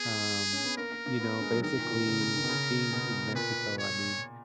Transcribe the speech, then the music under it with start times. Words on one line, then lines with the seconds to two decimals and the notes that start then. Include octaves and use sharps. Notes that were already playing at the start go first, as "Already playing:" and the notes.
Um, you know, basically, being in Mexico, I mean,
Already playing: B3 G#4
0.53 C#4
0.64 B3
0.78 A#3 A#4
0.92 A#3
1.06 A#3
1.20 B3
1.41 G#3
1.52 F#3
1.63 D#3 A#4
1.79 A#2
1.85 B2
2.07 C#3
2.20 C#3
2.36 D#3
2.44 B2
2.49 C#3
2.93 B2
3.35 A#2 B4
3.79 C#5